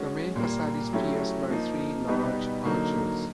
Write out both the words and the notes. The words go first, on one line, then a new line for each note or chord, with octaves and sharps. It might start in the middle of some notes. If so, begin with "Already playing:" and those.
The main facade is pierced by three large arches.
Already playing: G#3 C#4 F#4
A#2 G3 A#3
F#3 A3 C#4 E4 G4
F3 A#3 D#4
B2 G3 B3 D#4
D3 F#3 A#3 D#4